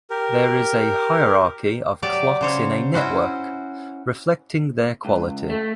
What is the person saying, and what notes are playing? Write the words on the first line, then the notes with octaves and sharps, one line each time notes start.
There is a hierarchy of clocks in a network, reflecting their quality.
G4 A#4
F#3 G4 D5
C#3 C5 C#5
C#4 E4 F#4 C5
C#2
A3